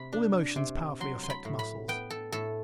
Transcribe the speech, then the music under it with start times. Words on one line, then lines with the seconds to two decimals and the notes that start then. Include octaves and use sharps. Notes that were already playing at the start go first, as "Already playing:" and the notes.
All emotions powerfully affect muscles.
Already playing: C3 B5
0.13 D4
0.56 C3
1.00 F#3 C6
1.23 C6
1.30 B5
1.45 A2
1.59 B5
1.88 B3 G5
2.10 A4
2.32 A2 A4